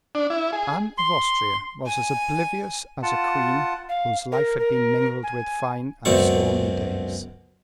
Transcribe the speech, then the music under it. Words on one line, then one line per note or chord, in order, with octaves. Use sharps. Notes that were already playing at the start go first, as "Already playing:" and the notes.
Anne of Austria was as oblivious as a queen whose life had been mingled with fine and stormy days.
D4
E4
G#4
C6
G#5
F4 F#5 A5
F5
A#4
A#4
G#5
C#2 F#2 B2 C4 D5 C#6